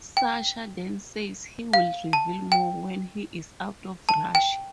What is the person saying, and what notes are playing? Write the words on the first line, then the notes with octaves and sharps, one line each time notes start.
Sasha then says he will reveal more when he is out of Russia.
G5
F5
A5
G5
A5
G5